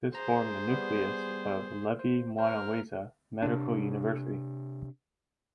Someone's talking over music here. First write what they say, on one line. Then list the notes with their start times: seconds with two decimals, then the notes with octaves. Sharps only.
This formed the nucleus of Levy Mwanawasa Medical University.
0.15 G#4 C5 A#5
0.68 G3 B3
1.99 C5
2.38 A#4 C5 F6
3.42 C3 D4